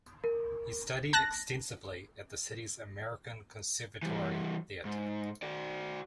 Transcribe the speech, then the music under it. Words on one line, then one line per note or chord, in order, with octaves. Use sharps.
He studied extensively at the city's American Conservatory Theater.
A#4
A5 F#6 A#6
E3 G3
G#2
F#4 D5